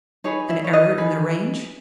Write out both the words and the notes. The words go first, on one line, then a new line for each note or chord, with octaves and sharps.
An error in the range?
D#4 G#4 B4 C#5
E4 E5
C#5
D#4 D#5
D#4 G#4 B4